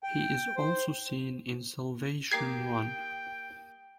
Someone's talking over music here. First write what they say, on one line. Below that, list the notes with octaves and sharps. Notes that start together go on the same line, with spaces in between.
He is also seen in "Salvation Run".
G5
C5
A#3 D#4 G4 G5 G#6 C7